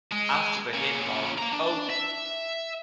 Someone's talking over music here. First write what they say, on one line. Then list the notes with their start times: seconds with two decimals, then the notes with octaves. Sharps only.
After the hit of Oh!
0.12 G#3
0.74 A#2 C#4
1.38 A#3 A#5
1.53 D4
1.90 E5